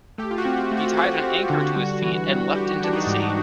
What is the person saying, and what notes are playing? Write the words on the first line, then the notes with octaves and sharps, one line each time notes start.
He tied an anchor to his feet and leapt into the sea.
A3 G4
F4
F#4
C4
F#4
A3
F#4
C4 F#4
C4
D3
G3
E3
G3
E3 G4
E3 D4
D#4
G#2